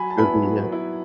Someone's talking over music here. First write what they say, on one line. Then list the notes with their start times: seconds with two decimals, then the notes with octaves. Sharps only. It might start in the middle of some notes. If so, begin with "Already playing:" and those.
review, yeah.
Already playing: F#3 G#5 B5
0.10 A5
0.18 B3 E4 G#5 B5
0.44 F#3
0.68 B3 E4